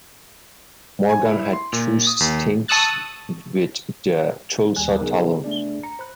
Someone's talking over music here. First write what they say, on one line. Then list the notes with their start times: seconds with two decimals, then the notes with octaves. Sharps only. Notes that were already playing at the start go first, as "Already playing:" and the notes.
Morgan had two stints with the Tulsa Talons.
1.09 G#5
1.25 E4
1.53 C6
1.73 A#2
2.07 D#6
2.20 D#2
2.68 A5 C#6 D#6 E6 F#6 A6
4.76 D#2 G3 G#5 F#6
5.00 C#3 F#3 B3 D#4 G#4 A#4
5.44 A3 D4 D5
5.83 A#5 C#7
5.99 C5 B5 F#6